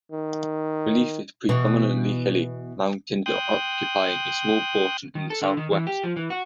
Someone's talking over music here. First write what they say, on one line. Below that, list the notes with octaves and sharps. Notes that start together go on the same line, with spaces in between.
The relief is predominantly hilly, mountains occupying a small portion in the south-west.
D#3
B2 E3
G5 C6 D#6 F#6
D#3
A4
D3
D#3
E3
G4
F3
E3
F#4